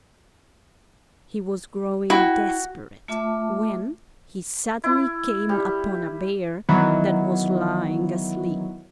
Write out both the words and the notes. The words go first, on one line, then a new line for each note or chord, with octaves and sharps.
He was growing desperate, when he suddenly came upon a bear that was lying asleep.
E4 F#4 G5
A3 F4 E5 A5 D6
E4
G3
D#3 E3 F#3 B3